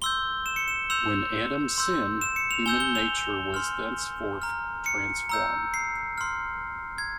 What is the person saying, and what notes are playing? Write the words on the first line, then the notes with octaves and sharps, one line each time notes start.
When Adam sinned, human nature was thenceforth transformed.
C6 E6 G6 G7
E7
C#7
E7
C6 E6 G6 F7
C6 E6 G6
E7
C#7
F7
G#5 E6 G6 G7
G7
F7
C6 F6
A#5 F6
C#7
A#5 E6 G6
C7
C6 F6
G#6